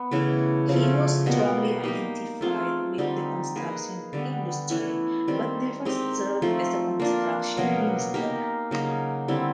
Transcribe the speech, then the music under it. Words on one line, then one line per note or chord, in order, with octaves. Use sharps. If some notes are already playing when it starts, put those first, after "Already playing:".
He was strongly identified with the construction industry but never served as construction minister.
Already playing: B3
C#3 E3 A3
C#3 F3 A3
B2 G3 A#3
A#3 D#4 G4
A3 C4 F4 G#4
D3 G3 C4 D#4
A#3 D#4 G#4 B4
D3 G3 B3
E3 A3 C#4 E4
D#3 G3 C4
G#3 C4 D#4 G4
F3 A3 C4
A#3 D4 F4
B2 F#3 A#3 C#4
A#3 D#4 G4 A#4
C#3 F#3 A#3 D#4
D3 G3 C4 E4